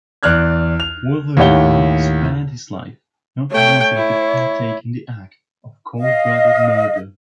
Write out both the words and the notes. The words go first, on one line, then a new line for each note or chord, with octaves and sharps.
Wolverine spared his life, not wanting to partake in the act of cold-blooded murder.
E2 D5 F6 F#6 G#6
F7
D#2 A2 G4 C#5 F#5 G7
A3 C#5 G5
E4
D#5 F5